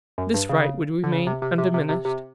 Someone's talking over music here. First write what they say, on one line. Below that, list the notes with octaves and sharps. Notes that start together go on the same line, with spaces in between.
This right would remain undiminished.
F#2
G2
C#3
D3
C#3
C3
C3
C3
C3
C3
C3